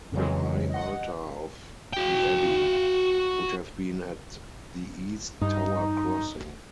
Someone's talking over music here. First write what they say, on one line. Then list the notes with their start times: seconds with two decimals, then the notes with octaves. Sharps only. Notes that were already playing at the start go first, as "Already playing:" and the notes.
The high altar of the abbey would have been at the east tower crossing.
0.12 F2 C#3 E3 F#3 G#3
0.70 D#5 F#5
1.93 F#4 G5
5.41 G2 D#4